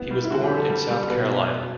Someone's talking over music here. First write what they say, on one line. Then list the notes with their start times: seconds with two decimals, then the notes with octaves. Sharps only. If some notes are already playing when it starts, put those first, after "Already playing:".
He was born in South Carolina.
Already playing: B3 E4
0.11 G3
0.24 E4
0.30 D3 F#4
0.44 G4
0.50 D3
0.57 A4
0.70 G3
0.90 G3
1.10 B2 B4